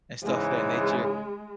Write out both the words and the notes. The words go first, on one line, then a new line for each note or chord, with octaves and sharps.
and stuff of that nature.
G#2 C#3 E3 G#3